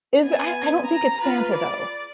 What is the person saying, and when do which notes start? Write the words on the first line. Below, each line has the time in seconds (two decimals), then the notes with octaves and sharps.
Is I I don't think it's Fanta though.
0.21 B3 G#5
0.85 A#5
1.20 F4 B4
1.53 D5 D6